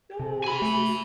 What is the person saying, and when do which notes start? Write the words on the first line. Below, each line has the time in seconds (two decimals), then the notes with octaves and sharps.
"Oh, this is"
0.19 C3
0.44 G#5 B5
0.62 A3